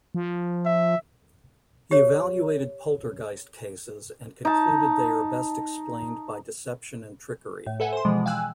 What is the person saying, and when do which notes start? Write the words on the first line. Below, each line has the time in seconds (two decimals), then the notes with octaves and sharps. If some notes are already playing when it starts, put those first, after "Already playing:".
He evaluated poltergeist cases and concluded they are best explained by deception and trickery.
0.15 F3
0.65 E5
1.91 G4 C#5
4.45 D#4 A5
7.66 A2
7.80 A4 B4 E5 F#5 G#5
7.93 C5 C6
8.05 B2 E3 F3 G#3
8.26 F5 G5 G#5 E6 F#6